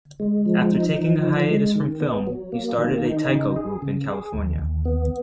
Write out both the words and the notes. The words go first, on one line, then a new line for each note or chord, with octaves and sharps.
After taking a hiatus from film, he started a taiko group in California.
G#3
F3
D#4
F3
D#3
G#3
D#3
B3
F#3
A#3
D#3
D#4
C#3
G#4
C#3
G#4
D#2
D#2
B3